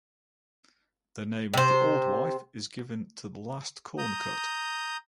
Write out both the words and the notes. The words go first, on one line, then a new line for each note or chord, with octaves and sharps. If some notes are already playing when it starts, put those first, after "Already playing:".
The name of the Old Wife is given to the last corn cut.
C3 C5
A#5 D#6 G6